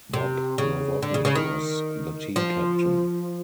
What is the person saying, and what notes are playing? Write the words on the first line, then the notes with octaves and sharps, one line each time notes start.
Bob Novotny was the team captain.
C3
C#3
D3
C#3
C#3
D#3
F3